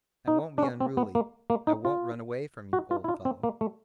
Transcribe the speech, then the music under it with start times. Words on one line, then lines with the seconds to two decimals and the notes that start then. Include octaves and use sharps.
I won't be unruly, I won't run away from you, old fellow.
0.28 D#4
0.58 D4
0.63 C#4
0.80 C4
0.97 B3
1.15 A#3
1.50 A#3
1.67 D#4
1.85 F4
2.73 F#4
2.91 F4
3.04 E4
3.08 F4
3.25 C4
3.43 A#3
3.61 A3